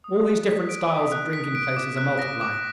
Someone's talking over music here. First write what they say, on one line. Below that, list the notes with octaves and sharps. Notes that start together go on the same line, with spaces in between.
All these different styles of drinking-places are multiplying.
D#6
F#6
B6
D7
D#6
F#6
B6
D7
D6
F#6
A#6
D6